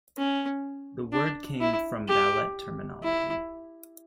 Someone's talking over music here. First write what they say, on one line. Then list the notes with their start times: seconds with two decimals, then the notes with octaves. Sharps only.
The word came from ballet terminology.
0.18 C#4
1.12 D4
1.60 E4
2.08 G4
3.03 E4